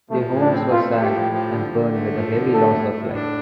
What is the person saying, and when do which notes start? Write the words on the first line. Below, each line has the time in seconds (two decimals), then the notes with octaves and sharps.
Their homes were sacked and burned with a heavy loss of life.
0.10 F3 A3
0.30 A2
0.41 D4
0.51 C4
0.71 A3 F4
0.91 F3
1.02 G4
1.12 A2
1.32 F3
1.52 D3
1.72 D3
1.93 A3
2.13 F3
2.33 D3
2.53 A3 A4
2.74 A2
2.94 A2
3.14 D4